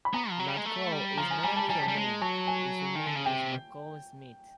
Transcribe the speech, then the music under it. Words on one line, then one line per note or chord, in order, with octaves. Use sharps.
"McCall" is not a middle name: his surname is "McCall Smith".
B5
B3 A#5
F3
F#3
G3
G#3
A3
G3
F3 A#5
G#5
G3 G#5
A5
G3 G#5
A5
G3
G#3
F#3 A5
G#5
D#3
D3
C#3
C3 G5